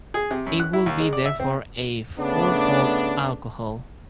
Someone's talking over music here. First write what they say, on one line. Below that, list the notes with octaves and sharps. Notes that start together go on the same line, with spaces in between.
It would be therefore a fourfold alcohol.
G#4
C3
F#2
F#6
E4
D#2
G#3
D5
E5
C4
C#3 A3 B3 D4